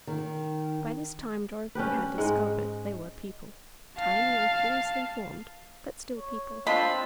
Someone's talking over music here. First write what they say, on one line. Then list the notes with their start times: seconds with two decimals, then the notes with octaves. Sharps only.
By this time Dorothy had discovered they were people, tiny and curiously formed, but still people.
0.07 D#3
1.75 C#4 D4 G4 B4
2.17 G#2 G#3 D#5
3.98 F5 A5
6.17 C#5
6.67 C4 D4 F4 D#5 B5